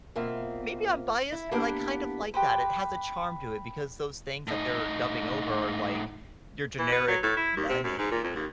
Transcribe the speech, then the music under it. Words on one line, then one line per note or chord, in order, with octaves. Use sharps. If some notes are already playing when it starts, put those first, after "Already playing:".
maybe I'm biased, but I kind of like that. It has a charm to it because those things that they're dubbing over are like your generic, "My name
B2 A#3 C4 F4 E5
E4
A#3 B3 D4 E4 G4 F#5
G4 B4 C5
A2 D#4
E3
B3
F#3
A2
E4
D#2
C3
F#2
G#2
A#2
F2
D#2